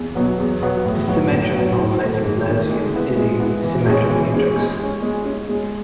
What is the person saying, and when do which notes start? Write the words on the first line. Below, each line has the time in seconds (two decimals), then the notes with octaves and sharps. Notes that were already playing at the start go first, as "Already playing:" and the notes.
The symmetric normalized Laplacian is a symmetric matrix.
Already playing: E2
0.15 B2 F#3 B3
0.38 E2
0.62 B2 F#3 B3
0.85 A2
1.08 F#3 B3 F#4
1.31 A2
1.55 F#3 B3 F#4
1.77 G#2
2.01 D#3 A3
2.24 G#2
2.48 D#3 A3
2.70 G#3
2.94 B3 E4
3.17 G#3
3.40 B3 E4
3.64 E3
3.86 G#3 C#4 G#4 C#5
4.10 E3
4.33 G#3 C#4 G#4 C#5
4.56 G#3
4.79 C#4 G#4
5.02 G#3
5.25 C#4 G#4
5.49 G#3